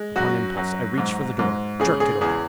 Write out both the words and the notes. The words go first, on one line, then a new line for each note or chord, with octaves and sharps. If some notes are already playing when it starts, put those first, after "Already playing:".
Upon impulse I reached for the door, jerked it open.
Already playing: G#3
F#2 F#4
F#2
G#2
G#2
C#3 G#4
G#4
E2 G#4